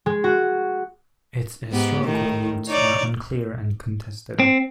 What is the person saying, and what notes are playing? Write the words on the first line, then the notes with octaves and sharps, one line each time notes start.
Its historical roots are unclear and contested.
G#3
F#4
G#2 B3 G4
A2 D#3
D#4 C#5 D5
C4